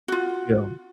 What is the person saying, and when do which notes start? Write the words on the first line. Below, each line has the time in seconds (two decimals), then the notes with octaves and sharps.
you know?
0.08 F4 F#4